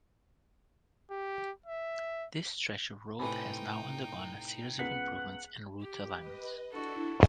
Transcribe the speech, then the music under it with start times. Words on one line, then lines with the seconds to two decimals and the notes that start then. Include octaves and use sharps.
This stretch of road has now undergone a series of improvements and route alignments.
1.10 G4
1.66 E5
3.19 A2 C3 D#4 B4 G5 G#5 B5
4.79 C#2 B3 F#5 B6
5.80 G4
6.16 B4 D#5
6.71 D4 E4 F#4 A4